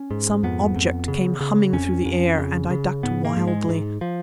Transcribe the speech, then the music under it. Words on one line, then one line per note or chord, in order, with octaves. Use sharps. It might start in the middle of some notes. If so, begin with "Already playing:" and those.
Some object came humming through the air, and I ducked wildly.
Already playing: C#4
G#2
F2 B3
F2
C#3
C#3
F2 C#4
F2
C#3
C#3
G#2 B3
A#3
G#2
G#3
G#2
F3